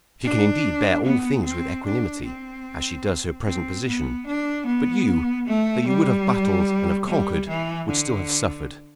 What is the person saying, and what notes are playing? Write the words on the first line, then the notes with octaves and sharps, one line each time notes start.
She can indeed bear all things with equanimity--as she does her present position. But you, though you would have battled and have conquered, would still have suffered.
D4
B3
C4
D4
C4
C4
B3
D4
B3
A3
G3
G3
E3
D3